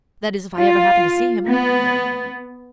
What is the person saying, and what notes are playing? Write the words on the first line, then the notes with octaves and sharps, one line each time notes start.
That is, if I ever happen to see him.
F4
B3